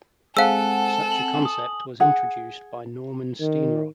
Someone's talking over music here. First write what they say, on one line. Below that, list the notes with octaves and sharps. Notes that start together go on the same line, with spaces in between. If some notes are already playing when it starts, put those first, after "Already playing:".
Such a concept was introduced by Norman Steenrod.
G#3 C4 A4 F5 F#5 G#5 E6
F#7
D#6
G#4 F#5
D#3